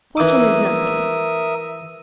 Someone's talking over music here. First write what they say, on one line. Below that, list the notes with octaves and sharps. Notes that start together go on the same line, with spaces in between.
Fortune is nothing.
E3 A#4 E5 D6 D#6